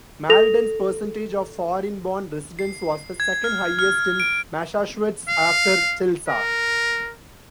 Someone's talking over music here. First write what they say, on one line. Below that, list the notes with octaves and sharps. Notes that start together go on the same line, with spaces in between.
Malden's percentage of foreign-born residents was the second-highest in Massachusetts, after Chelsea.
A4 A#6 F7
C7
G#6
F6
F6
D7
F5
A#4